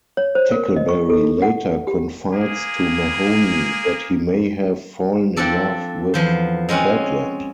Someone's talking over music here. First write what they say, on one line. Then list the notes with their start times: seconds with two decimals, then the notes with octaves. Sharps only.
Tackleberry later confides to Mahoney that he may have fallen in love with Kirkland.
0.17 C#5
0.35 C5
0.52 A#4
0.76 D#5
0.89 C#6
1.10 A4
1.42 F#5
1.87 G4
2.32 A#3 G#4
5.36 F3 C4 D4 A4 D5
6.14 E2 F3 C5
6.69 G#3 C4 C#4 F4 F#5